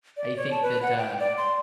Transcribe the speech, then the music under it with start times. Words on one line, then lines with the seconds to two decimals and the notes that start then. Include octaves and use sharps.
I think that, uh,
0.17 D5
0.37 C#5
0.51 A5
0.62 B4
0.82 F#5
0.98 G5
1.20 D5
1.37 C6